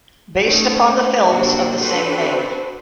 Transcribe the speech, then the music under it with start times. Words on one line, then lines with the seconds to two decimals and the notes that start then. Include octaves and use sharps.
Based upon the films of the same name.
0.45 A3 C#4 D#4
1.29 C3 A#3 C4 D4 F#4
1.80 C4 D4 F#4 A4 B4 C5